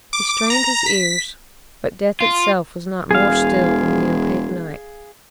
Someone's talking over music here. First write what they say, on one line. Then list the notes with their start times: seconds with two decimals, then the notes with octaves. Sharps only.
He strained his ears, but death itself was not more still than the opaque night.
0.13 D6
0.50 A#5
0.86 B6
2.21 F4
3.11 E1 G#4 F5